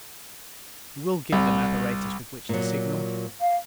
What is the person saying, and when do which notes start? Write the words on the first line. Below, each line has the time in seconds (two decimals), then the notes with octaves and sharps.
"You will give them apparatus with which to signal?"
1.33 C2
2.49 A#2 F#3
3.41 F5